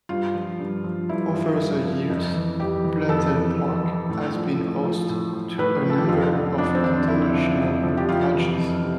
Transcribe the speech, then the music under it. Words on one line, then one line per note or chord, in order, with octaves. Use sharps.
Over the years Blundell Park has been host to a number of international matches.
G2 F4
F3
G2
F3
G2 E4
F3
G2
F3
F2
E3
F2 G4
E3
F2 A4
E3
F2
E3
A2
F3
A2
F3
A2
F3
A2 B4
F3
A4
G4
F2 F4
D3 F3
F2 D4
C4
D3 F3 D4
F2 E4
D3 F3
F2
D3 F3
G4
F2 F4
C3 E3
F2
C3